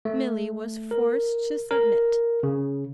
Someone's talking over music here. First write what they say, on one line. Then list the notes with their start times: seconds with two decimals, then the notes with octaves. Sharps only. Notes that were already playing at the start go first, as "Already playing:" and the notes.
Milly was forced to submit.
0.05 A3
0.91 A#4
1.71 A#4
2.43 C#3